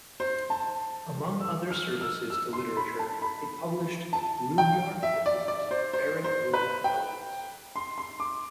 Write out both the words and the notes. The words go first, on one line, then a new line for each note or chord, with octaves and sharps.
Among other services to literature it published Rudyard Kipling's "Barrack-Room Ballads".
C5
A5
E6
F6
E6
E6
C6
B5
A5
B5
A5
G5
E5
D5
D5
C5
C5
C5
B4
G5
C6
C6
D6